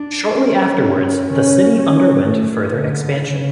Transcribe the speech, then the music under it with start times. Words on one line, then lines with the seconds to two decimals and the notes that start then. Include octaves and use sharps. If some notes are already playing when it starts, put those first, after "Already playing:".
Shortly afterwards, the city underwent further expansion.
Already playing: D4
0.32 C#4
1.28 C#4
1.77 C#4
2.24 A3
2.73 D3
3.21 C#3